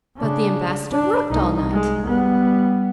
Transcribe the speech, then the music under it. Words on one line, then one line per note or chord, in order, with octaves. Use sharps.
"But the ambassador worked all night?"
C#3 D4
D4
C2 D#4
G#3
G3 B3